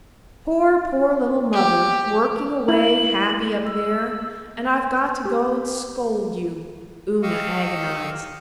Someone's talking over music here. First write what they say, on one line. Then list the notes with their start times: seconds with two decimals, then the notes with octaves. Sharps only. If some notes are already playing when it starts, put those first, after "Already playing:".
"Poor, poor little mother, working away happy up there, and I've got to go and scold you," Una agonized.
1.53 G4
2.68 E4 F#7
3.66 E6
5.25 G4
7.23 G4 D#5 F5 C#6 E6